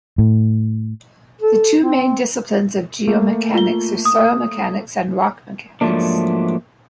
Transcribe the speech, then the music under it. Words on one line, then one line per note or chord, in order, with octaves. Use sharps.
The two main disciplines of geomechanics are soil mechanics and rock mechanics.
A2
A4
C4
A3 A#3
F4 G7
D#6
G#2 F3 F#3 A3 A#3 D4